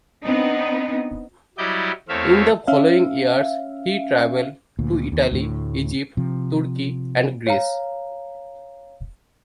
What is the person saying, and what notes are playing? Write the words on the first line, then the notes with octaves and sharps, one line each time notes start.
In the following years he travelled to Italy, Egypt, Turkey and Greece.
B3 C4 D4 D#4
F#3 G3 E4 D5 D#5 G6
E2 A3 C4 C#5 E5 F5
C#4 E5 F5
D2 A#2
D#2
D2 A2
C3 F3
C#5 F5 A#5